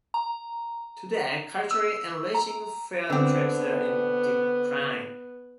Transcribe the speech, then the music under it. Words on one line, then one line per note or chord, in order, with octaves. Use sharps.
Today, culturally enriching field trips are in decline.
A#5
E6
A#5
D3 B3 C4